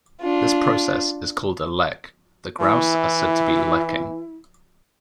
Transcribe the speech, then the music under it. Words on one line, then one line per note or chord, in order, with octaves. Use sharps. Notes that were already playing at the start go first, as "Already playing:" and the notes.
This process is called a "lek"-the grouse are said to be "lekking".
D4 F4
E3 E4